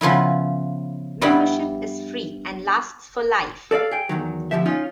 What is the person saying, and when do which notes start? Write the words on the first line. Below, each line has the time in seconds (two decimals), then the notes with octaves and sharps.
Membership is free and lasts for life.
0.01 C#3 F3 B3 E4
1.21 G2 G3 B3 E4
3.71 A4 D5 E5 F5
3.91 G#4 G5
4.09 E2 D#3 F#3
4.51 D2 G#2 B2 F3 G4 E5
4.66 C#4 D#4 F4